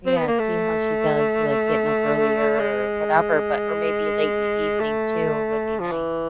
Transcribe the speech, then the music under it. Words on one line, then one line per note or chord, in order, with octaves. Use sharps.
yeah, see how she does, like, getting up earlier or whatever, but or maybe late in the evening too would be nice.
C4
B3
A#3
A3
G#3
A3
F3
E3